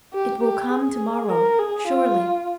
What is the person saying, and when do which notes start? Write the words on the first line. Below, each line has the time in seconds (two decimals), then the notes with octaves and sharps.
"It will come to-morrow, surely."
0.14 G4
0.42 G4
0.71 G#4
1.29 A#4
1.58 G#4
1.87 F4